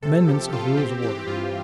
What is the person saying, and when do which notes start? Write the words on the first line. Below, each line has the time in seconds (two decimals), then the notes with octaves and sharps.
Amendments of Rules of Order.
0.02 C3 A4
0.27 F3 G4
0.52 C3 F4
0.77 C4 G4
1.02 E3 G4
1.27 G2 F4